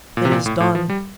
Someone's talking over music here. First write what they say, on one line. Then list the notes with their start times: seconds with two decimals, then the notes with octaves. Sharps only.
It is done.
0.17 A#2
0.25 C3
0.32 A#2
0.46 A2
0.60 A2
0.75 F3
0.90 G3